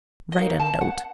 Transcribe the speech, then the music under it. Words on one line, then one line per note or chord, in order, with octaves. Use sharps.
Write a note!
D#5
D#4 A#4 F5
A5
F#5